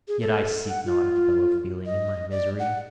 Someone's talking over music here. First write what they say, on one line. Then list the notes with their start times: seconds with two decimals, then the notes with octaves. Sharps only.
Yet I seek not a fellow feeling in my misery.
0.08 G#4
0.21 A4
0.69 F#5
0.86 F4
1.86 D#5
2.31 D5
2.59 F#5